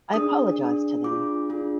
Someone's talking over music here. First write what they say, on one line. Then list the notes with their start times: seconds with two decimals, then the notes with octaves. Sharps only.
I apologize to them.
0.14 D4 G#4 D#6
0.59 D4 G#4
1.04 D4 F4 G#4 D6
1.50 D4 F4 G#4